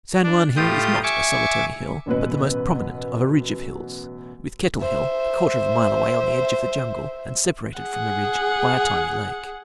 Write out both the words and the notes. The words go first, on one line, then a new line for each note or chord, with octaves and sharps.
San Juan Hill is not a solitary hill, but the most prominent of a ridge of hills, with Kettle Hill a quarter of a mile away on the edge of the jungle and separated from the ridge by a tiny lake.
D4
A2 F4 G4 D#6 G6
E5 G#5 C#6 D6
A1 F#2 B2 B4
C5 E5
G#4 F#5